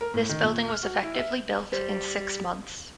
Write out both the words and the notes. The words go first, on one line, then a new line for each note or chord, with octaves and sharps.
This building was effectively built in six months.
A#4
A2
D#3
A#2
F6
F#4
E4
E5
G3 C5